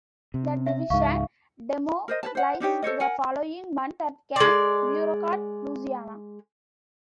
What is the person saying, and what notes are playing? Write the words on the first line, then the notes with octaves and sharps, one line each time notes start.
The division demobilized the following month at Camp Beauregard, Louisiana.
C3
E5
C#2 G#2 F5 C#6
E5
A#4 C5 D#5
B4 C#5 A5
C5 F#5
D4 D#4 G4 C#5
A4 C5 C#5 D#5
A#4 F#5 G#5
G#3 D5